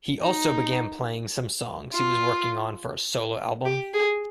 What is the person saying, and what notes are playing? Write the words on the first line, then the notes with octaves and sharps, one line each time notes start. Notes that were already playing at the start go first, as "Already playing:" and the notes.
He also began playing some songs he was working on for a solo album.
D#4
F4
G4
G#4